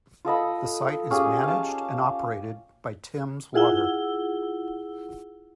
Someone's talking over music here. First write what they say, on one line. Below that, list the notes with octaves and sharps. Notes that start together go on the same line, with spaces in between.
The site is managed and operated by Thames Water.
F4 A4 D#5 B5
C#4 F4 G4 G#4
F5 A5
E4 F4 G#4 F#5 E6 G7